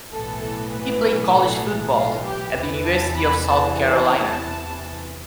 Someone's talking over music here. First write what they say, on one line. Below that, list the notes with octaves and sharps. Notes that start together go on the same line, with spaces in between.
He played college football at the University of South Carolina.
B1 A2 E3 B3 A4
A4
B4
A4
F4
G4
E2 C3 E3 B3 B4
A5
B5
A5
A5